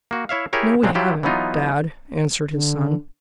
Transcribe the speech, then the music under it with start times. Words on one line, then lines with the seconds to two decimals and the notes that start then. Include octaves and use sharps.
"No we haven't, dad," answered his son.
0.11 A#3 F#4
0.29 E4 C#5 E5 F5
0.53 E4 G4 G#4 A#4 C#5
0.83 A#2 C#3 G#3 C4 D4
0.95 F#3 E4 F4 G4
1.23 E3 F#3 B3 D#4 F4
2.53 D3